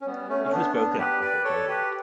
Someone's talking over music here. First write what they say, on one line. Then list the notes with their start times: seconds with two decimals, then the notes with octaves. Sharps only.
It was broken up before daylight.
0.01 C#4
0.06 G3 B3
0.29 A3 C#4
0.45 C#4
0.52 B3 D4
0.75 B3 D4
0.98 G4 B4
1.21 B4 D5
1.44 A4 C#5
1.67 G4 B4